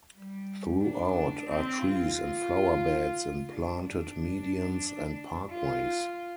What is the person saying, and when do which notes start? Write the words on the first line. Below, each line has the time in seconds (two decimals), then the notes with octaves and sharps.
Throughout are trees and flower beds in planted medians and parkways.
0.16 G3
0.83 D4
1.49 C4
1.83 F4
3.50 D4
3.83 D4
5.50 F4